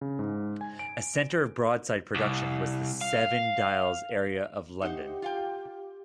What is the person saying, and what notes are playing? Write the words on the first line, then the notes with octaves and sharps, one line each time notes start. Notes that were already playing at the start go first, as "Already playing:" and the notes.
A centre of broadside production was the Seven Dials area of London.
C#3
G#2
G#5
D7
C2
F5
D#4 G4 C5 F#5
F4 F5 G5